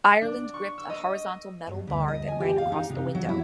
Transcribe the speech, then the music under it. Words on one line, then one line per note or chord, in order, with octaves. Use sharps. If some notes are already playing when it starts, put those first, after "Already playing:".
Ireland gripped a horizontal metal bar that ran across the window.
D4
C#6
E6
D#5
G2
D2
D#5
G#5
G4
F5
D#4
C3
F#3
E4